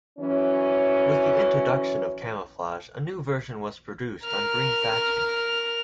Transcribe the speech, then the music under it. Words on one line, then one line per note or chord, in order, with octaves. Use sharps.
With the introduction of camouflage, a new version was produced on green thatching.
E3 F#3 C#4
A#4 F6